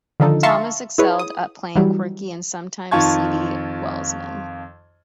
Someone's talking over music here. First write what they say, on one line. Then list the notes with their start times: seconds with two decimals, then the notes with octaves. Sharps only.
Thomas excelled at playing quirky and sometimes seedy Welshmen.
0.20 D3 D#3 F3 D4 D#4 A4
0.43 E5 F5 A5 A#5 C6 C#6
0.98 E4 G#4 B4 C#5
1.19 D#6
1.75 E3 F#3 G3
2.91 F2 D#3 F4 A5 C#6 G#6